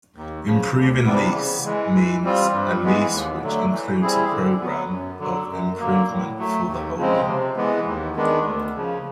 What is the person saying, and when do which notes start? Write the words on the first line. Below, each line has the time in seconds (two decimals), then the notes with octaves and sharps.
"Improving lease" means a lease which includes a programme of improvement for the holding.
0.16 D#2
0.46 C#3 F3
0.76 D2
1.05 C3 E3 G3 B3
1.35 C#3
1.65 E3 G#3
1.94 E3
2.24 G3 C4 F4
2.53 G2
2.83 E3 G#3 B3
3.12 D#2
3.43 D3 F#3 A3
3.71 E3
4.01 G3 C4 E4 G#4
4.31 D3
4.60 F#3 B3
4.90 F#2
5.19 D3 F#3
5.49 F#2
5.79 D3 F#3 A#3
6.08 A2
6.38 F#3 A3
6.67 D#2
6.97 C#3 F3 G#3 C4
7.27 C3
7.57 E3 G#3 B3
7.86 D#2
8.16 D#3 G#3 B3 D4
8.45 D2
8.75 C#3 F3